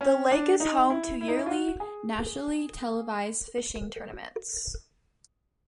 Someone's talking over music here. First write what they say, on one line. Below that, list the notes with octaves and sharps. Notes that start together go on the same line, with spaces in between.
The lake is home to yearly nationally-televised fishing tournaments.
C#4
D4
D#4
E4
E4
D#4
E4
F4
F#4
G#4